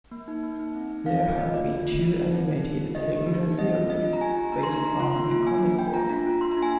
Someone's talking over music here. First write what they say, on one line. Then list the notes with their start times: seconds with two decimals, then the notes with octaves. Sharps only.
There have been two animated television series, based on the comic books.
0.11 A#3
0.28 D#4
0.43 A#3
0.60 D#4
0.74 C4
0.90 D#4
1.06 C4 F5
1.22 F4
1.38 A#3 D#5
1.54 F4 D5
1.69 A#3
1.85 F4
2.01 A#3
2.16 D#4
2.33 C4
2.48 D#4
2.64 D4
2.80 F4
2.95 G4 D#5
3.11 G4
3.27 A#3
3.42 D#4
3.58 C4 D#5
3.74 F4
3.90 D4 D#5
4.05 F4
4.13 A#5
4.21 G4 G#5
4.37 G4
4.52 A#3 A#5
4.63 C6
4.68 D#4
4.74 A#5
4.85 D4 A#5
5.00 F4 C6
5.16 A#3
5.31 F4
5.47 A#3 G#5
5.63 D4
5.78 A#3 G5
5.94 F4 A#5
6.09 D4 A#5
6.26 F4
6.41 A#3 C6
6.52 A#5
6.57 D4
6.63 G#5